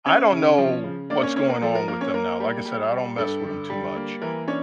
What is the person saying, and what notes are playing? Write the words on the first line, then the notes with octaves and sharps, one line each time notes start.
I don't know what's going on with them now, like I said, I don't mess with 'em too much,
C#4 E4 C#5
C#3
F3
C#3
A#3 D4 D5
C#4 C#5
A#3 C#4 C#5
A#4
F3 A4
A#4
A#3 A#4
C#4 C#5
A#3 A#4
G3
G3
G3
G2 A4
D3
G3
A#3
E3 A#4
C#4 D4 C#5